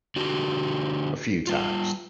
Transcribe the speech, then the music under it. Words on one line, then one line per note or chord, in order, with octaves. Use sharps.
a few times.
D3 F#4 G4
G3 F4